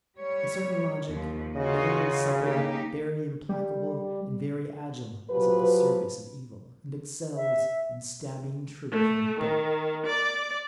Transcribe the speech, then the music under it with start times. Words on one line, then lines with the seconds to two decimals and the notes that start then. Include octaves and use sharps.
A certain logic, very supple, very implacable, and very agile, is at the service of evil, and excels in stabbing truth in the dark.
0.16 G3 C#5
1.10 D#2 F3
1.56 C#3 F4 F#4 D#5
2.41 A#3 D#4 G4
3.49 G3
5.30 F3 F#3 G4 B4
7.36 E5
8.92 A3
9.39 D#3
10.06 D5